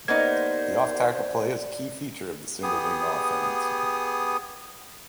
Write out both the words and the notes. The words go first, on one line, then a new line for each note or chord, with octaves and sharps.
The off-tackle play is a key feature of the single wing offense.
D#2 A#3 B3 D#4 C5 D5 G#6
B3 G4 G#4 D#6